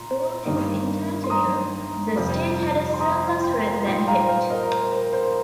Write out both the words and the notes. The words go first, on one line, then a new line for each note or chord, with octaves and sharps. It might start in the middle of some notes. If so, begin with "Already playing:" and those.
Throughout his entire tenure, the state had a surplus rather than debt.
Already playing: A#2 A#5 C6
G2 D#3 G3 A#3 D#4
C6
A#5 D#6
F2 C3 G3
C6
A#5 D#6
G5 C6
A#2 G3 D#4 G5 C6
F5 A#5
C5 F5
A#4 D#5
A#4
C5
C5
C5